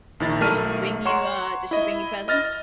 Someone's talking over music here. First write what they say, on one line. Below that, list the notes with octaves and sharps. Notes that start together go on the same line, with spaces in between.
Does she bring you, uh, does she bring you presents?
A#1 D#3 E4 A6
B1 A3 A#4 A5 F6 D#7
C#5 F#5 A#5 C6 C#6 E7
E4 D#5
D#5 F6 A6 A#6